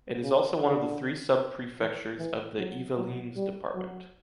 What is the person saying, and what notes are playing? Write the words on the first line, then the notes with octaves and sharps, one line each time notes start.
It is also one of the three sub-prefectures of the Yvelines department.
C#3
D3
E3
E3
F#3
F#3
G3
F#3